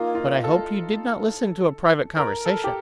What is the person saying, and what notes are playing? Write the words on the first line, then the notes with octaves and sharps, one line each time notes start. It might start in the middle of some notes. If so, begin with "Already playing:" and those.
But I hope you did not listen to a private conversation.
Already playing: A#3 D#4 F4
F4
A4
A#4
A4
G4